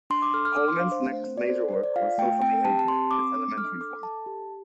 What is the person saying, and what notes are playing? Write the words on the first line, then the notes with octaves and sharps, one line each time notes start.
Homans's next major work was "Social Behavior: Its Elementary Forms".
D4 C6
D6
A4 F6
F6
D4 D6
C6
D4 F5
C5
A3
C4
D5
A4 C5
D5
A4 C5
D5
F4 F5
A3 G5
C4 G5
G4 A5
A5
C4 C6
C4 D6
D4 D6
A4 F6
A4 D6
A4 A5
G4